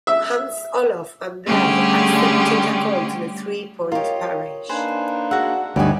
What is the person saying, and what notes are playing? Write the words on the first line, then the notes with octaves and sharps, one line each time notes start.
Hans Olof Andrae accepted a call to the three-point parish.
E5
D3 G3 A3 C#4 G4 G#4
F#3
F4 G4 A#4 C#5 D#5
A#3 D4 D#4 B4 C5 G#5
F#4 G#4 E5 F#5
D2 G2 F#3 D#4 G4 B4 G#5